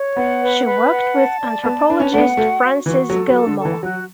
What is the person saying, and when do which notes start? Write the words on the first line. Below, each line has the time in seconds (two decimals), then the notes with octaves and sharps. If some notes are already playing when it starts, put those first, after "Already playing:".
She worked with anthropologist Frances Gillmor.
Already playing: C#5
0.17 B3 F#5
0.41 B4
0.65 B4
0.90 F#5
1.14 A5
1.39 D5
1.63 B3 A5
1.87 D4 B4
2.00 C#4
2.12 A3 F#5
2.18 B3
2.37 A3 F#4
2.61 F#4
2.86 E3 F#4
3.10 F#3 A4
3.28 F#3
3.34 A4
3.46 D3
3.59 A4
3.65 E3
3.83 F#3 F#4